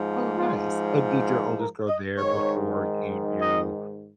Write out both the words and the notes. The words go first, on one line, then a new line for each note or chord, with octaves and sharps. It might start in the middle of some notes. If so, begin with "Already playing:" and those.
Oh, nice, and did your oldest go there before you knew
Already playing: G#2 F3
F4
A#4
D#5
G#2 D#3 C#5
D#5